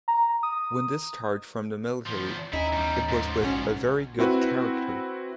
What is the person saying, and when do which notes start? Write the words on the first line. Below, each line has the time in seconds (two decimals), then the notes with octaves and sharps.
When discharged from the military it was with 'a very good character'.
0.08 A#5
0.43 D#6
2.06 E2 F3
2.53 D#2 C#4 D#4 E4
2.73 E2 G3
3.09 G#2 F3
3.42 A#1 C#4 F#4
4.19 C4 E4 F#4 B4